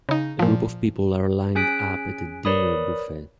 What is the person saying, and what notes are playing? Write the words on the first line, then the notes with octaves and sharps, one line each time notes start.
A group of people are lined up at a dinner buffet.
C#3 D#4
A#2 F3
C#4 G#4 G#5 F#6 B6 D7
A#4 B4 C#5 D5 B5 D#6